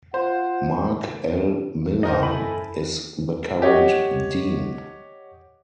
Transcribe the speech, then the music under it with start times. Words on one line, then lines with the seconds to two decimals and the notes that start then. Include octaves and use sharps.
Marc L. Miller is the current Dean.
0.14 F4 C5 F#5
2.03 E2 D#4 A#4 C5 D#5
2.23 F2 E4 A4 G#5 B5
2.42 F#2
3.62 G4 C#5 D#5 F#5